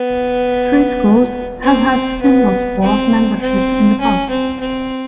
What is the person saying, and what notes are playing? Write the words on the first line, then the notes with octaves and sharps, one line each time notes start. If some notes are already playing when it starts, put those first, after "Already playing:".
Three schools have had single-sport membership in the past.
Already playing: B3
C4
B3
C4
C4
C#4
C4
C4